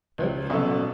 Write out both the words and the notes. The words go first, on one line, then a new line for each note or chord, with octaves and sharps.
'Don't humbug!
C#2
B2 F#3 C#4 A4